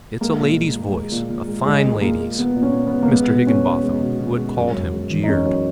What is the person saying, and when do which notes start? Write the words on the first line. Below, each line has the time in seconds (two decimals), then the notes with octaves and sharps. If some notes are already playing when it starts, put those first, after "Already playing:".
"It's a lady's voice, a fine lady's," Mr. Higginbotham, who had called him, jeered.
0.21 G#3 A#3
0.39 A#2
0.57 A#2
0.75 G#3
0.94 G#3
1.12 A#2
1.30 A#2
1.48 G#3
1.66 G#3
1.84 A#2
1.93 G#3
2.02 A#2 A#3
2.20 G#3
2.39 G#3 B3
2.56 A#2
2.63 C#4
2.75 A#2
2.87 B3
2.93 G#3
3.03 A#3
3.11 G#3 B3
3.29 B2
3.47 B2 C#4
3.65 G#3
3.83 G#3
4.02 B2
4.20 B2
4.37 G#3
4.56 F#2
4.74 F#2
4.93 G#3
5.10 E3
5.24 D#4
5.29 F#2 C#4
5.46 F#2